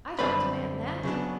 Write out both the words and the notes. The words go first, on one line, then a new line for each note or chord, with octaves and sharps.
I don't demand that.
F#2 D3 G3 C4 B4 B5
C#3 F#3 B3 D4